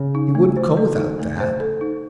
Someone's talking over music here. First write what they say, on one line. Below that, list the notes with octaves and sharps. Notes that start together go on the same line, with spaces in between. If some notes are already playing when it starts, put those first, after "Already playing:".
'He wouldn't come without that?'
Already playing: C#3
D#4
A3
C5
A4
D#4
A3
C5
A4
D#4